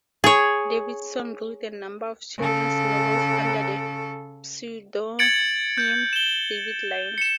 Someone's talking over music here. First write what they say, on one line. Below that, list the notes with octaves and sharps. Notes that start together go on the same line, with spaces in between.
Davidson wrote a number of children's novels under the pseudonym David Line.
G#4 C#5
C#3 A4
G#6 A6 C#7 D7 F#7
G6
E7 G7
C#7 E7